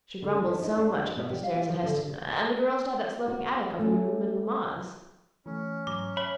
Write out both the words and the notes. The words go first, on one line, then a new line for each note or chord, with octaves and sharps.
She grumbles so much about the stairs at Heston; and the girl is to have that sloping attic over your room and mamma's.
D3
D4
E4
D#4
D4
G#3
B2
G3
F5
F4
F3
D3
F#4
A3 C#4
E3 A3 C#4
G#2 F#3 A#5 D6
C#5 E5 B5